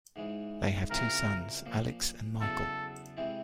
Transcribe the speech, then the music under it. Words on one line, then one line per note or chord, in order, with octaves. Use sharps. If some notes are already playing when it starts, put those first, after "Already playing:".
They have two sons, Alex and Michael.
G#2 E3 G#3
C#3 E3 G3 C4 F4 A#4
A#2 F3 A#3
E2 C#3 F#3 B3 A4
C3 E3 G#3 C4 E4